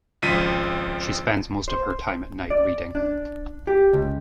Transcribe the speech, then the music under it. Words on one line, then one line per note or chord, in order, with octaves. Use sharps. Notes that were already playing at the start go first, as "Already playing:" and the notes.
She spends most of her time at night reading.
G#1 C#2 F3 B6 D#7
C5
D5
D4
G4
C#2